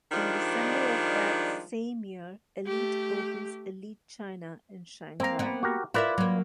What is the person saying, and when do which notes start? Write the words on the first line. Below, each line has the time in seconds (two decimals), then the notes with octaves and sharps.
In December of that same year, Elite opens Elite China in Shanghai.
0.11 D#3 F3 G3 G#3 D4
2.67 A3 G4
5.20 A#3 C4 F5 A#5
5.39 A#3 B3
5.63 F#4 G4 A#4
5.94 E4 F4 A#4 B4 D5 E5
6.18 F#3 A#3